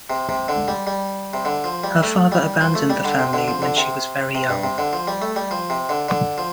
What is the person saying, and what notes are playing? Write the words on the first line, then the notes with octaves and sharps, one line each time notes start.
Her father abandoned the family when she was very young.
C3
C3
D3
G3
G3
C3
D3
F3
G3
A3
G3
F3
A3
G3
D3
C3
D3
F3
D3
C3
C3
G2
C3
D3
F3
G3
A3
G3
F3
C3
D3
D3
F3